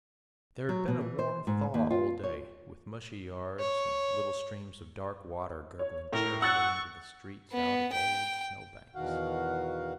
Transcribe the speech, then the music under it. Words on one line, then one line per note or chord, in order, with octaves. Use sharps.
There had been a warm thaw all day, with mushy yards and little streams of dark water gurgling cheerfully into the streets out of old snow-banks.
F#3
B2
E3
C5
G#2
D#2
F4
C#5
C#5
C#5
A2 A#4
F#5 C#6 E6 F#6 A6
B3
G5
E2 B2 D#3 F#4 F5 F#5